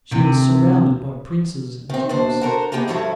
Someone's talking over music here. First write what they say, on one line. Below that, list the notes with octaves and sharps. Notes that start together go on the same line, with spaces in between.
She was surrounded by princes and dukes.
D2 C3
D#3 C4
D#2 B2 D4 C5
F#4 A4 A#4 C5
A#3 B3 D#4 G4 G#4
D2 G2 F3 F#3 E4 A4